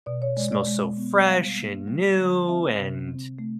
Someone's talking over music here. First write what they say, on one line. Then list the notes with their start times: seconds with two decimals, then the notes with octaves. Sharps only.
smells so fresh and new, and,
0.06 B2 D5
0.22 C#5
0.37 G#3 D5
0.52 D5
0.67 G#3
0.97 B3
1.27 G3 F5
1.58 A#3
1.88 G3
2.18 D3
2.48 C4 E5
2.78 C3
3.08 C4
3.39 A3